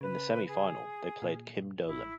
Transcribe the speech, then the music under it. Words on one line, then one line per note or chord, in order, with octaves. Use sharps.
In the semifinal they played Kim Dolan.
C#3 B4
G#4
A#2
A1 E4